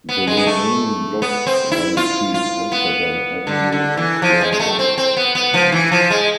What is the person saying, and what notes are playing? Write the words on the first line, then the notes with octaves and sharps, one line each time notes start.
The remaining blocks run between Amsterdam Avenue and Claremont Avenue.
B3
G#3
B3
A3
B3
C4
E4
F4
F4
B3
D3
D3
E3
F3
G#3
G#3
A3
C4
C4
B3
B3
F3
E3
F3
G#3